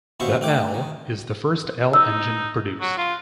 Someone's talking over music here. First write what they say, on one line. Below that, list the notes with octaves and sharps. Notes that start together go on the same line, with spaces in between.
The L is the first L engine produced.
D#2 B2 C#4 C5 E5 C#6
A3 G5 D6
D#3
D#4 E6
F#3
F4